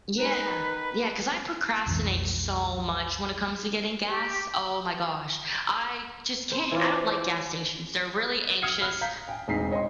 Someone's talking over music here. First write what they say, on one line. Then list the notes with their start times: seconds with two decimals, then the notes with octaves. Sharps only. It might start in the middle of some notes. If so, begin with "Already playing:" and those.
Yeah. Yeah, cause I procrastinate so much when it comes to getting gas. Oh my gosh, I just can't. I don't like gas stations, they're really anxious
0.19 D#3 D#4 B4
1.86 B1 F2 G#2 E3
4.07 G4
6.52 C5
6.72 E3 F4 C5 C#5 D6
8.62 D#6 F6 G#6 C7 C#7 D#7
8.81 B5 F6 F#6
9.01 F5 A#5 G6 B6
9.28 G5 G#5
9.48 E1 C4 D#4 B6 C7
9.71 C#5 D#5 G5 C6